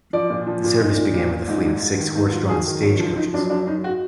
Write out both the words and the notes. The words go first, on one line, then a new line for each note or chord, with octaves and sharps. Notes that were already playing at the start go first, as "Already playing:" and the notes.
The service began with a fleet of six horse-drawn stagecoaches.
F3 D5
A#2
F3
A#2
A#2 D#4
A#2
A#2
A#2
G#2 D#4
G#2
G#2
D#3
G#2 D#4
F#3 F4
D#3 G#4
D#3
F#2
F3
F3 D#4
F#2 D4
F#2 D4
F#2 D#4
F#4